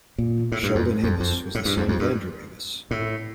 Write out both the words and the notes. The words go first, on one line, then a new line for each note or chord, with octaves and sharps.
Sheldon Amos was the son of Andrew Amos.
A#2
A2
G2
F2
F2
F2
A2
G2
F2
F2
G2
A2